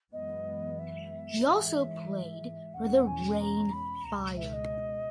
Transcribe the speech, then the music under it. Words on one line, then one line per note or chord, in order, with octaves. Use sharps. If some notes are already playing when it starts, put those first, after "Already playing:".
He also played for the Rhein Fire.
F#2 E3 G#3 B3 D#5
E5
G#2 E3 G#3
E2 B2 G#3 C#4 F#5
G#5
A#5
B5
C#2 B2 G#3 A#5
E5
D#5